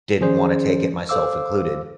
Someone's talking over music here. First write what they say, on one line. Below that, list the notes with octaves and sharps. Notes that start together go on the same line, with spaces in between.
didn't wanna take it, myself included,
D#3 F3 C#4 G#4 C5 D5
A4 C5 F5 D6 E6